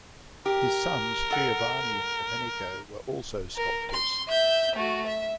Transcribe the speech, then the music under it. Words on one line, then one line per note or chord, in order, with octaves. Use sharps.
His sons Giovanni and Domenico were also sculptors.
G4 A#4
A4 F#5
A#4
C6
E5 G6
A3 F#4
E5